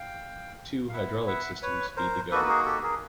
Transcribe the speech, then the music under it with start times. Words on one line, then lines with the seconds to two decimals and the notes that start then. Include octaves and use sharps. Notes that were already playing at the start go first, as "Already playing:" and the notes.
Two hydraulic systems feed the gun.
Already playing: F5 G5
0.89 F5
0.93 B3 E4 E5 F#5
1.27 E5 F#5
1.62 B4 C#5
1.96 A#4 C5
2.31 A#3 D#4 F#4 A4 B4
2.43 B4
2.48 G#4 A#4
2.65 G4 A4
2.83 G#4 A#4